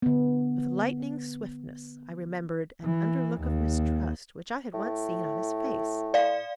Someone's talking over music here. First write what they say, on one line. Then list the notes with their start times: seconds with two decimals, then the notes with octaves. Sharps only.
With lightning swiftness I remembered an under-look of mistrust which I had once seen on his face.
0.02 D3 B3
2.85 E3
3.41 D#2
4.74 A2
6.14 D5 F5